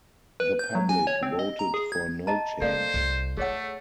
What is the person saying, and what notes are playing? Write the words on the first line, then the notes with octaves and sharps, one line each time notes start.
The public voted for no change.
B4
G6
F#3
G#5
C#5
C4
D#5
A#5
G#4
G#6
D#5 A5 A#5
A#3 A4 C5 D5 F5
C2
A3 B3 G#4 C#5 F#5